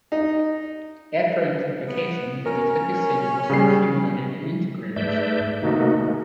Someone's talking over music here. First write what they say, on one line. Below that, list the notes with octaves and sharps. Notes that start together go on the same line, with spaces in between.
After amplification, the detected signals are accumulated in integrators.
D#4
B3
C#4 A#4
C#3 G3 C7
G#2 A3 B4 D5 E5 G6
C3 D#3 A3 A#3 D#4 F#4
G#3 A#3